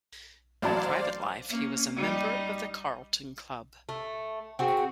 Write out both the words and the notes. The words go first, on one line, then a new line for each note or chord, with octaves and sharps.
In private life he was a member of the Carlton Club.
A1 F#3 C5 D5 F5 A5
A#3 C#4
G3 D#4
A3
C4 F#4 G#4